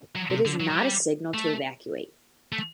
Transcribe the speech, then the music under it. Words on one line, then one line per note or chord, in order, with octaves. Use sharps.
It is not a signal to evacuate.
F#3
C3
D3
F#3
F#3
G3
A3
A3